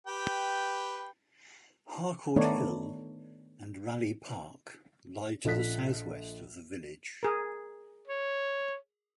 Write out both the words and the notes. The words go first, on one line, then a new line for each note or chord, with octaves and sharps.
Harcourt Hill and Raleigh Park lie to the southwest of the village.
G4 B4 G5
D#3 A3 B3 D4 D#4 C#5
A#1 F4 A4 D#5 F#6 B6
G#4 A#4
C#5